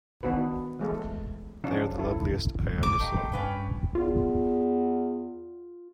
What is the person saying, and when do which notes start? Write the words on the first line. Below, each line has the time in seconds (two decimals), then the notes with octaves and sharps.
They are the loveliest I ever saw.
0.23 D#3 B3 D4 F#4 B4
0.79 E3 G#3 A3 A4
1.64 C#3 F3 C#4 D4
1.98 E4 A4
2.83 D6
3.00 A3 D#4 G4
3.32 G2 C#4 D4 B4 G5
3.95 E2 F4